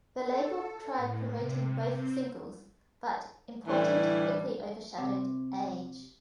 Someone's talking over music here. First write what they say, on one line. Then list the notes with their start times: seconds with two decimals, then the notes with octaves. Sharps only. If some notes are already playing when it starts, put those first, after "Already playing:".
The label tried promoting both singles, but "Important" quickly overshadowed "Age".
0.21 A4
0.96 A2
1.35 C3
1.92 C4
3.67 A2 D3 E3 G3
4.98 C3